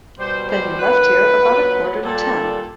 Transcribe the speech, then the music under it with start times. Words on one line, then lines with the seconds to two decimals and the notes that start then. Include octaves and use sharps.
Then you left here about a quarter to ten.
0.18 B2 G3 C5
0.48 C5
0.79 F#2 D#3 F#3 B4
1.41 A#2 F#3
2.03 A#2 G3 A4